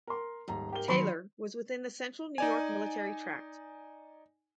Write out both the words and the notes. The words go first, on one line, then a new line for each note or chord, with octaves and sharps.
Taylor was within the Central New York Military Tract.
A#4 C6
D#1 G#2 A#5
G4 A#4 G7
D#3 F#3 B5 C6 C#7
D#4 D5 G#5